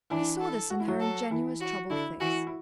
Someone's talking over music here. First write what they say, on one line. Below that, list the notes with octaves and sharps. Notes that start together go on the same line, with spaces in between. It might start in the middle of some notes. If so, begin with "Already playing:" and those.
He saw this in her ingenuous troubled face.
E3 D4 E4
A4
F#4
E4
F#3 F#4
A4
E3 E4
F#4
D3 D4 E4
E3 E4 F#4
E4